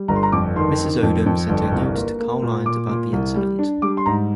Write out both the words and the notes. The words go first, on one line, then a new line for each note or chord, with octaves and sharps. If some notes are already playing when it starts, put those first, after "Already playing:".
Mrs. Odom sent a note to Carl Lyons about the incident.
Already playing: G3
G1 A#5
C6
A#5
F2 D6
D#3 C6
D#3
F2
F2
G1
C2
A#3
A#3
A#2
A#2 D6
A#2
C2
G3
D4
G3 D6
C6
G#2 A#5